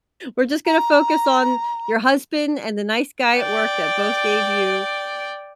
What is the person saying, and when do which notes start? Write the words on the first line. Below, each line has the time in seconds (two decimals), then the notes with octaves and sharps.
we're just gonna focus on your husband and the nice guy at work that both gave you
0.66 A#5
3.37 D5 G5